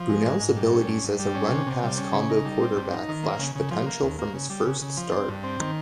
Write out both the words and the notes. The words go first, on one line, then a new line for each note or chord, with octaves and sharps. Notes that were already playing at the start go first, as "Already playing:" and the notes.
Brunell's abilities as a run-pass combo quarterback flashed potential from his first start.
Already playing: F3
G#3
G#2
G#2
G3
C#4
G2
G2
G3
C#4
C3
C3
G3
C#4
C#3
D#4
G3
C4
G2
D#4
D#3
A#3
C#3
C#3
F3
A#3
D#2
A#3
C#3
G3
C#3
C#3
F3
C4
G2
C4
D#3